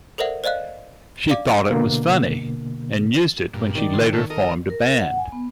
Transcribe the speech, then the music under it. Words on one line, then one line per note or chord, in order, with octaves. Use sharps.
She thought it was funny, and used it when she later formed a band.
A4 A#4 C5 D5 E5 F#5
C5 D5 D#5 F5 F#6
D5 F5 D6
B2 D3 A#3
G2 A#2
D#3 D5
C#3 C6
A2 C#3 A3
A4 A#4 D#5
A#4
F#5
G#5
B3